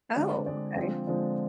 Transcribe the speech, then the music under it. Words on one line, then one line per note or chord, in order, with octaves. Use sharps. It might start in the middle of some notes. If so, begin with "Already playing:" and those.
Oh, okay.
D3 G#3 C4 D5
D5
D3 G#3 C4 D5
D3 F3 G#3 C4
D3 F3 G#3 C4